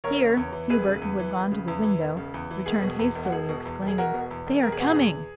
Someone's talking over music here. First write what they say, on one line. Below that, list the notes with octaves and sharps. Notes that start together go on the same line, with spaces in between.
Here Hubert, who had gone to the window, returned hastily, exclaiming, "They are coming!"
E1 A#4 C#5
C#3
E2
E3
E1 G#4 B4
C#3
E2
E3
E1
C#3
E2
E3
E1
C#3
E2
E3
E1 G#4
B2
E2
E1
F#4
E1 G#4
B2
E2
E1
G#4
E1 F#4 A#4
B2
E2
E1
E1 A#4
G#4
B2 F#4
G#4
E2